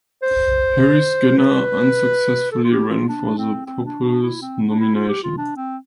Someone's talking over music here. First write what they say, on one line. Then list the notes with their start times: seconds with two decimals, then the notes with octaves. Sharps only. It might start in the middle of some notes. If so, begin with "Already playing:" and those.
Harry Skinner unsuccessfully ran for the Populist nomination.
0.23 C5
1.38 B4
2.52 A4
2.64 F4
2.71 G4
2.90 F4
3.09 D4
3.38 C4
3.66 C4
3.85 D4
4.04 D4
4.23 E4
4.42 C4
4.70 D4
4.80 E4
4.95 F4
5.09 G4
5.24 F4
5.38 D4
5.57 C4